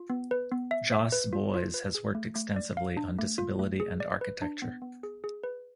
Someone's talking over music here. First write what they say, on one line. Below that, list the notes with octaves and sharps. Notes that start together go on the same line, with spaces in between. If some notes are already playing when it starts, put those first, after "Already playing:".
Jos Boys has worked extensively on disability and architecture.
Already playing: F4
B3
B4
B3
E5
E5
B4
F4
F4
B4
G#4
A3
A3
D5
F5
D4
A3
F4
A3
G#4
D5
B4
D4
B3
B3
G#4
G#4
B4